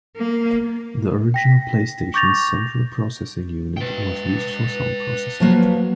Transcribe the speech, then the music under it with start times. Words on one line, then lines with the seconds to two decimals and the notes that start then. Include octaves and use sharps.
The original PlayStation's central processing unit was used for sound processing.
0.16 A#3
1.34 G5 A#6 B6
2.14 C#6 D6 G6 A6 A#6 F7
3.77 B4 G5
5.40 F3 F#3 A#3